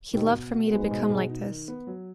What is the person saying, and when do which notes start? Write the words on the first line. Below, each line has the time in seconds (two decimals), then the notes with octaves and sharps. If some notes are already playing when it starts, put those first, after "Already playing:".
He loved for me to become like this.
0.13 D#2 B2 D#3
0.33 B2
0.52 F#4
0.71 G#2 G#3 B3
0.91 B2
1.10 B2
1.29 D#4
1.49 D#3
1.68 B3
1.87 F#3